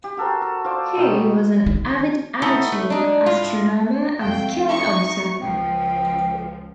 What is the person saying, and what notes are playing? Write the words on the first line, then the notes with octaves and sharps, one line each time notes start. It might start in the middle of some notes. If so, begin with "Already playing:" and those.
He was an avid amateur astronomer and skilled observer.
G4
F#4 A4 A#4 C5
A4
F4 C5 D5
B2 D#3 G#3
D#3
A3 B3 D#4 E4
A3
D4 D#4
A2 F4
F2 A3 F5 G5
F3 D#4 E5 C#6
C#2 F3 G5